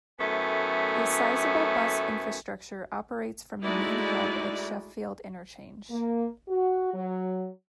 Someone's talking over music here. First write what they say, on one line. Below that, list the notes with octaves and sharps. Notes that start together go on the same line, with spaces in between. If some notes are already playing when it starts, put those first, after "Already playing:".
A sizeable bus infrastructure operates from a main hub at Sheffield Interchange.
F#2 A2 A3 B3 G#5
G#3 A3 D#4 E4 F#4 D5
A#3
F#4
F#3